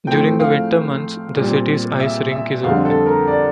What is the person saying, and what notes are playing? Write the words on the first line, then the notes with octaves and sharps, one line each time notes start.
During the winter months the city's ice rink is open.
A2 F3 A3 C4 G5
F5
A#2 G3 C4
E5
E5
F2 D3 G3 C4 F5
A4
A#4
D5